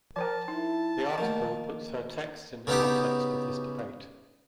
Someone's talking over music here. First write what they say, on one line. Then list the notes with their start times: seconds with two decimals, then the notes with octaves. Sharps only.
The article puts her text in the context of this debate.
0.16 F3 A#4 C5 G5 A5
0.48 D#4 E4
1.18 D#3 F3 A3 A#3
2.67 C#3 B3 D#4 G4